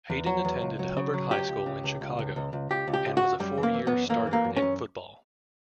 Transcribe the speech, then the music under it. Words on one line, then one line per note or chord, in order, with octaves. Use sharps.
Hayden attended Hubbard High School in Chicago, and was a four-year starter in football.
E2
F#3
E2
C#2
F#3
C#3
F#3
C#2 G4
C#2
C#3
C#2
C#2
C#2
C#2
C#2
C#2 G4
C#2
G4
C#2
F#4
C#2
F#2 G3
E3
A#3
E3
B3
F#2
E3 A#3
E3
A#3
F#2
C#4
F#2